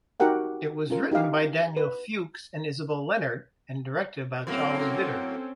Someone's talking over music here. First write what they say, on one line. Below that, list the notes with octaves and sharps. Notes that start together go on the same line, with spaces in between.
It was written by Daniel Fuchs and Isobel Lennart and directed by Charles Vidor.
D#4 F#4 G4 A#4 F#5 G5
C#4 F4 A#4
D#4 G4 D#5 F5
B4
A2 F#3 A#3 C4 C#4 A4